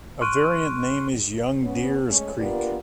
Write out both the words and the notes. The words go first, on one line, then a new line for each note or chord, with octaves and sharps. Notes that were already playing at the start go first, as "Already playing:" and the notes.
A variant name is "Young Deers Creek".
C6 C#6 F6 F#6 D7 D#7
B3 C#4
G#3 A3 C#4
A#3 B3 D4 F4 G4 A#4